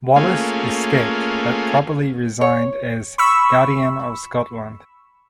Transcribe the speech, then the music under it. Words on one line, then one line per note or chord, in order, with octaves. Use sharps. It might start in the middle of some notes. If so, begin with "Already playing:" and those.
Wallace escaped but probably resigned as Guardian of Scotland.
A3 A#3 C#4 F4 G#4
C#5
B5 C#6 E6